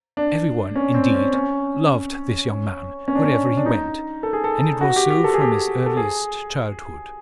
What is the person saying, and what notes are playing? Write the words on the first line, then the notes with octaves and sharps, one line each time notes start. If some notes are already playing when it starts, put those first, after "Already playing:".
Every one, indeed, loved this young man wherever he went, and it was so from his earliest childhood.
D4
C#4
C4
C#4
C#4
C#4
D4
C#4
D4
D#4
A4
G#4
A4
F#4
G4
G4
A4
G#4
G4
G#4
A4
G#4